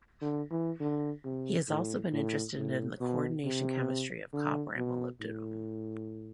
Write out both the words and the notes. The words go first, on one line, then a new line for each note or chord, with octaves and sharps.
He has also been interested in the coordination chemistry of copper and molybdenum.
D3
E3
D3
C3
A2
A2
A2
B2
C3
D3
B2
A2